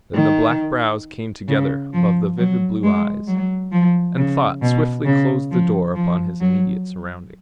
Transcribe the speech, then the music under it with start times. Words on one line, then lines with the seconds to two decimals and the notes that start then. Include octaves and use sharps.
Then the black brows came together above the vivid blue eyes, and thought swiftly closed the door upon his immediate surroundings.
0.15 D#3
1.48 C#3
1.93 F3
2.38 F#3
2.83 G#3
3.28 F#3
3.72 F3
4.17 C#3
4.62 B2
5.06 C#3
5.51 F3
5.95 F3
6.41 F#3